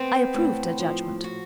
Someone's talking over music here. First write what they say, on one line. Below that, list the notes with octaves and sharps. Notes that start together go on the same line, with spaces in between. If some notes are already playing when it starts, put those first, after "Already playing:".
I approved her judgment.
Already playing: B3 C4
A2
F3
F#4